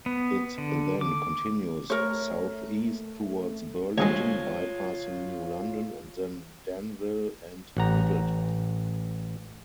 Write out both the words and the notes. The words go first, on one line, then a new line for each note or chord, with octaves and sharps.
It then continues southeast towards Burlington bypassing New London and then Danville and Middletown.
B3
D3
D6
A3 A#4 C#5
D2 C3 G#3 F4 C#5
A1 F#5 A#5